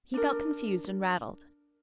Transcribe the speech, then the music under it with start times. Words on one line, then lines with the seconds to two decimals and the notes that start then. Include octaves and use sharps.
He felt confused and rattled.
0.14 D4 A#4